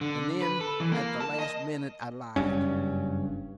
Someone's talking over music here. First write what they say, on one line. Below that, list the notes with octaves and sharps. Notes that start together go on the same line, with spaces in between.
And then, at the last minute, I lied.
D3
B4
A4
E3
A#3
A5
D#5
F#1 G2 C#4